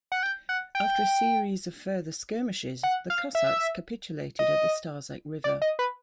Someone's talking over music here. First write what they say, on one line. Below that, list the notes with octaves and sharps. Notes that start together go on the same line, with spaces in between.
After a series of further skirmishes the Cossacks capitulated at the Starzec river.
F#5
G5
F#5
G5
F#5
F5
E5
D#5
D5
D#5
B4